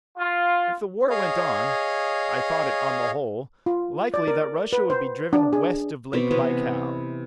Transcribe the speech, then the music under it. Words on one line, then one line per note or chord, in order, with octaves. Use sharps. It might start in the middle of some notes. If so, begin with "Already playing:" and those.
If the war went on, I thought it, on the whole, likely that Russia would be driven west of Lake Baikal.
F4
G#4 C#5 D#5 F5
F4
D5
A#4
B4
C5
D4
G#4
B2 C4 D5 B5
C3 E3 B3 D#5